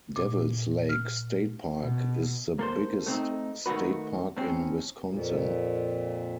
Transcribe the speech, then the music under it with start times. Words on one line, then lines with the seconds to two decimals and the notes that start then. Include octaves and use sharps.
Devil's Lake State Park is the biggest state park in Wisconsin.
0.16 A#2
0.89 F6
1.79 B2
2.59 A#3 A4 C5
3.06 A3 C4 D#4
3.66 D#3 A3 A#3 F#4 B4
4.37 A2 C4 C#4
5.08 F2 A#2